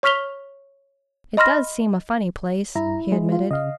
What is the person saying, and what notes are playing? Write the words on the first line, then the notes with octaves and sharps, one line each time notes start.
"It does seem a funny place," he admitted.
C#5 C#6 F6 B6 F7 G7
D#5 B5 C6 F6 A#6
G2 E4 A#5
G#3
F4
C#3 D#5 F5